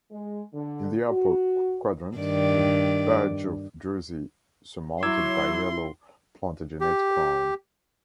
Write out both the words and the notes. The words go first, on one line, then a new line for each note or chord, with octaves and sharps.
In the upper quadrant the badge of Jersey surmounted by a yellow "Plantagenet crown".
G#3
D3
F#4
G2 D#3 D5
F#3 E4 C6 D6 E6 G#6
G4